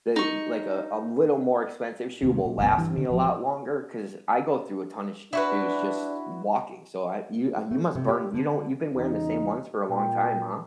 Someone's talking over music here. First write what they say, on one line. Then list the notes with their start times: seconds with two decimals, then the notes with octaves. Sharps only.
the like a a little more expensive shoe will last me a lot longer 'cause I go through a ton of shoes just walking, so I you, uh, you must burn you know, you've been wearing the same ones for a long time, huh?
0.16 D#4 C#6
2.23 D#2 C3
2.45 A#2
2.58 F#1 B1 B3
2.78 G2 E3
2.97 D3 C#4
3.10 A1 F3 F#3
5.33 D4 E4 F#4 B4
7.71 A3
7.95 C3
8.08 G4
8.34 D3
8.96 E2 C#3 D#4
9.89 A#2 G5